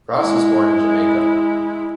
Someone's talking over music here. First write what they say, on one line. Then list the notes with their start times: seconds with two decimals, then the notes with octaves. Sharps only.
Ross was born in Jamaica.
0.17 G#3 E4